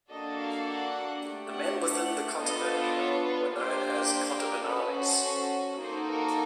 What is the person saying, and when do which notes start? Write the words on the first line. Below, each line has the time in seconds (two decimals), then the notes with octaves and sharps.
The men within the contubernium were known as "contubernales".
0.10 A#3 D4 F#4 A4 D#5
0.39 F5
0.68 F#5
1.25 A3 D4 G4
1.53 F#5
1.81 F#5
2.38 B3 D4 F4 A4 D#5
2.95 C#5
3.24 B4
3.53 A#3 D4 G4 C5
4.38 A#4
4.67 C#4 F#4 A4 B4
4.96 C5
5.24 C5
5.81 A#3 D#4 F#4 A4 C5
6.10 A#4